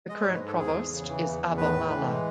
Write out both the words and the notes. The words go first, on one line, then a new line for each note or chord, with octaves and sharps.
The current provost is Abba Mala.
G#3 D#5
C#5
G#2
B4
G#2 A4
E2 G#4
E2
C#3
E3
E2
E2
A2 B4
A2
E3
G#3